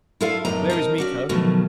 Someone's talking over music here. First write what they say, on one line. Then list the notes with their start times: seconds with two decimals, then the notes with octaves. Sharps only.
"Where is Miko?"
0.21 E4 F4 A4 D5 F5
0.45 F#2 A2 B3 D#4 G4 A#5
0.70 C4 D#4 A#4
0.98 C#4 F#4 D5
1.29 B2 D#3 F3 F#3 A3